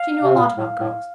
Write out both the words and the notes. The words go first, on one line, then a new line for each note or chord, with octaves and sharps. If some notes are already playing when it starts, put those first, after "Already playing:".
She knew a lot about girls.
Already playing: F5
C3
A#2
A2
A2